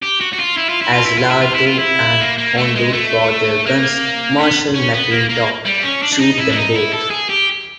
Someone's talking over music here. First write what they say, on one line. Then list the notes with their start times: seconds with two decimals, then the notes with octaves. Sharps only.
As Laredo and Hondo draw their guns, Marshal McClintock shoots them both.
0.02 G4
0.21 F#4
0.33 F#4
0.39 F4
0.57 E4
0.69 F4
0.82 E4
0.93 F4
1.06 E4
1.18 F4
1.30 E4
1.42 F4
1.54 E4
1.66 F4
1.79 E4
2.20 A#3
2.38 A#3
2.57 A3
2.75 G#3
2.93 A3
3.66 A#3
4.38 B3
4.74 C#4
4.93 B3
5.10 A#3
5.29 A#3
5.65 G3
5.83 C#4
6.02 D4
6.13 D4
6.20 D#4
6.38 E4
6.50 D4
6.56 D#4
6.75 E4
6.93 A4
7.10 G#4
7.29 G4